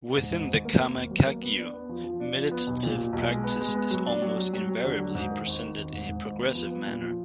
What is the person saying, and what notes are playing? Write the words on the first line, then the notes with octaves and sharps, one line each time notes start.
Within the Karma Kagyu, meditative practice is almost invariably presented in a progressive manner.
G#2
G#2
G#1
A#3
A#3
G#1
F#3
A#3
B3
D4
B3
F3
F3
D4
F3
B3
B1
A#2
A#2
B1
G#3
B3
G#3
B3
F#3
D4
F#3
F#3
F#3
F#3
D3
F#3
G#2
D#3
G#1
D#3
G#1
G#2
G#2
G#1
B3
F3
B3
A#2
F3